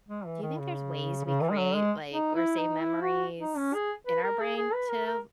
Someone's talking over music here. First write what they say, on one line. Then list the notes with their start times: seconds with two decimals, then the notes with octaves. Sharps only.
Do you think there's ways we create, like or save memories in our brain to
0.09 G#3
0.26 E3
0.42 D#3
0.59 C#3
1.25 C#3
1.42 E3
1.51 G#3
1.58 F#3
1.75 G#3
2.14 D#4
2.36 E4
2.58 D#4
2.80 E4
3.02 F#4
3.40 D#4
3.57 C#4
3.74 G#4
4.07 B4
4.24 A#4
4.41 G#4
4.57 G#4
4.74 B4
4.90 A#4
5.07 A#4